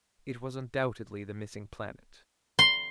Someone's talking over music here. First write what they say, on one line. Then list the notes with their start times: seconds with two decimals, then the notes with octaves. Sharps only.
It was undoubtedly the missing planet.
2.59 C6